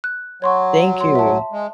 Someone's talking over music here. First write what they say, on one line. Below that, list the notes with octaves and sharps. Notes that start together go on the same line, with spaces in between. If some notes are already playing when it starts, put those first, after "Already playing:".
Thank you.
F#6
F#3 C#5 C6 C#6
C6
E5 A5
G#3